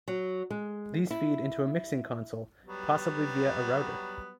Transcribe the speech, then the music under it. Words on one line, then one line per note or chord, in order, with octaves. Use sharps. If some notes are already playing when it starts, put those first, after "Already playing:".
These feed into a mixing console, possibly via a router.
F#3
G#3
E4
F#3 G3 B3